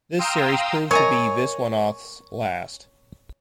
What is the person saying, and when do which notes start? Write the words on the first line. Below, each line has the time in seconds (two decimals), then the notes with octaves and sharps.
This series proved to be Viswanath's last.
0.18 F5 G5 A#5 C6 D#6 E6
0.91 A#4 C#5 D#5 G#5 A#5